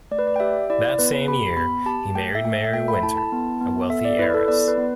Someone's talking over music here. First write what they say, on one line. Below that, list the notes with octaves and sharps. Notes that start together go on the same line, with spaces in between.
That same year, he married Mary Wynter, a wealthy heiress.
A3 D5
B4
D5
G5
G4 E5
E4 D5
B3 B4
G4 B5
B3 B5
G4 A5
A3 G5
E5
A3 G5
E5
A4 G5
B5
E4 A5
A5
B3
B3
A4 E5
D5
E4 B4
A4
B3 D5
B4
B3